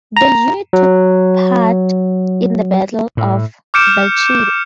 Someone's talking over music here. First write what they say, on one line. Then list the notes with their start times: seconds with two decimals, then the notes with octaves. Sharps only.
The unit took part in the Battle of Belchite.
0.17 A#5
0.73 F#3
3.17 A2
3.74 D6 F6 G6 C#7 D7 E7